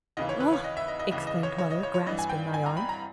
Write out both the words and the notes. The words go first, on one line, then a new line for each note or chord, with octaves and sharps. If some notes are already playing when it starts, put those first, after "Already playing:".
"Oh!" exclaimed mother, grasping my arm.
D#2 C#3 E3 D#5
C#5
B4
C#5
D#5
E5
D#5
D#5
C#2 C#3 E3 D#5
D#5
C#5
C#5
D#5
C#5
C#5
G2 E3 D#5
G#5
G5
G#5
A#5
B5
A#5